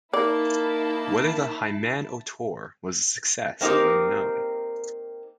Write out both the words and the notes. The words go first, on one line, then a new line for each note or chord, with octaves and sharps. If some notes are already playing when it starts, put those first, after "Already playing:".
Whether the "Hyman Otor" was a success is unknown.
A#3 D#4 E4 D5 A5
A#3 C4 D#4 G4 A#4